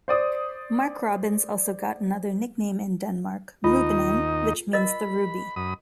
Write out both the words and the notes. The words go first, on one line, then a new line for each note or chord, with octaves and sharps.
Mark Robins also got another nickname in Denmark "Rubinen" which means the ruby.
C5 D5 D#6
D#2 D#4 F4 D#5
A#4 D#5 B5
F#2 B5 D#6